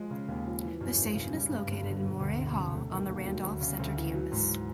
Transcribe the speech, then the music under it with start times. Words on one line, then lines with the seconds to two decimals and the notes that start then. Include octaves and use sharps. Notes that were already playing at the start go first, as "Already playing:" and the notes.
The station is located in Morey Hall on the Randolph Center campus.
Already playing: F3 G#3
0.10 C#3
0.28 D#2
0.45 F3
0.63 E3
0.81 F#2
0.97 G#1
1.15 C#3
1.33 G3
1.50 G2
1.68 G1
1.85 D3
2.02 E1
2.20 D2
2.39 E1
2.56 C3
2.73 A3
2.91 D#3
3.08 D#2
3.26 F#3
3.43 D2
3.61 C#3
3.79 D2
3.97 E3
4.14 F#3
4.32 G#2